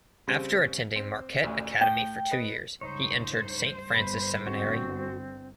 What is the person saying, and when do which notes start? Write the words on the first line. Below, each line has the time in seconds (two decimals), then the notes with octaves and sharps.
After attending Marquette Academy for two years, he entered Saint Francis Seminary.
0.28 C#3 G3 C4
0.96 C4
1.43 A1 D2
1.81 A2 G5
2.31 B4 D#5
2.81 C#2 G2 D#4 C5 C#5
3.94 G1 B4
4.47 C4 F#4